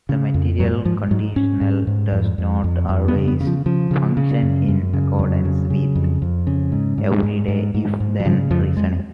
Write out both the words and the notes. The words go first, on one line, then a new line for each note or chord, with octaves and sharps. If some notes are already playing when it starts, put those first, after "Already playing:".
The material conditional does not always function in accordance with everyday if-then reasoning.
C#3
F2
G#2 F#3
G#2 F3
G#2 F#3
G#2 C#4
G#2
G#2
F2
F2
F2
F2
B3
C#3
B3
C#3
F3
C#3 F3
C#3
C#3
F#2
F#2
C#3
F2 F#3
C#3
C#3
F2
F2
C#3
G#2
G#2
G#2
G#2
G#2
G#2
F#3
C#3 F3
F2 F3
F2 G#3